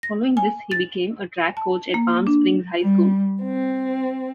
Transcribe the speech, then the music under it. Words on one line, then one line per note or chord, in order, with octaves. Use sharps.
Following this he became a track coach at Palm Springs High School.
A#6
G#5
A6
A5
A#3
D4
G3
C4